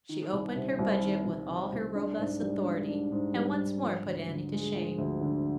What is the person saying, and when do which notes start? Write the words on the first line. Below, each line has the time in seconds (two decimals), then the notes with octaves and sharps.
She opened her budget with all her robust authority, and once more put Annie to shame.
0.09 D#3
0.32 C2
0.56 C3
0.79 C2
1.02 D#3
1.26 C2
1.49 C3
1.72 C2
1.95 D4
2.18 G#2
2.42 G3
2.65 G#2
2.88 D4
3.12 G#2
3.35 G3
3.58 G#2
3.82 F3
4.05 D2
4.28 D3
4.52 G#3
4.75 F3
4.98 D2
5.21 D3